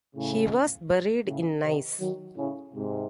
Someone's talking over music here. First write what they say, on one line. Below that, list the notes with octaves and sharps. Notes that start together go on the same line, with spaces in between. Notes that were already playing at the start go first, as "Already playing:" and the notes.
He was buried in Nice.
A2 C#3
A2 C#3
C3 D#3
D#3 F#3
A2 C#3
G#2 C3